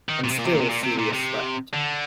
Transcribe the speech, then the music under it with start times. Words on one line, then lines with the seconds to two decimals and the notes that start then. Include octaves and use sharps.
And still Celia slept.
0.09 D#3
0.24 A#2
0.31 C3
0.39 A#2
0.46 C3
0.54 A#2
0.61 C3
0.69 A#2
0.84 C3
0.99 A#2
1.13 C3
1.74 D3